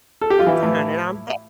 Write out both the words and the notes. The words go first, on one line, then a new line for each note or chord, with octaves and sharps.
You turn it on back.
A4
G4
F4
E3 E4
A2